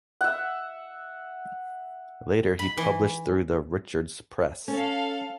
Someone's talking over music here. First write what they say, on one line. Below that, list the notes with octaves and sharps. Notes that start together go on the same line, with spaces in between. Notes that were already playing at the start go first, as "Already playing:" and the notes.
Later he published through the Richards Press.
E5 F#5
B5
E3
C#4 A4 F5